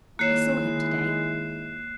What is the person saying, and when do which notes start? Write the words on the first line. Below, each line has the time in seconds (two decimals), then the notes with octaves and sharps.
"I saw him to-day."
0.19 D#3 G#3 A#3 E4 C#5 F#6 C7 E7